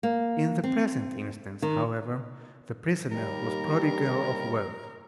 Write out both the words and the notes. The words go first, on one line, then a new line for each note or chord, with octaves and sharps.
In the present instance, however, the prisoner was prodigal of words.
A#3
C4
D#3
D#2 G3 A#4